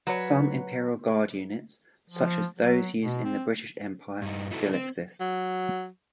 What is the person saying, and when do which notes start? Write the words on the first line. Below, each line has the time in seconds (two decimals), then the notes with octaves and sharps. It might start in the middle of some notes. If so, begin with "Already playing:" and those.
Some imperial guard units, such as those used in the British Empire, still exist.
0.07 F#3 B4 C#5
2.10 F3
2.55 F#3
3.03 B2
3.25 C4
4.22 G2 D#4
4.51 D#4 E4 F#4 G4 A4
4.73 C4
5.20 F#3